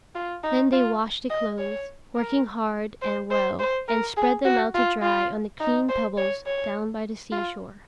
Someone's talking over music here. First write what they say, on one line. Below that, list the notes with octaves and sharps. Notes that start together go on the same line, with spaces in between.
Then they washed the clothes, working hard and well, and spread them out to dry on the clean pebbles down by the seashore.
F4
D#4
F4
D#5
C#5
A#4
C5
C5
C5
A#4
G#4
F#4
F4
F4
D#4
C5
C#5
C#5
F4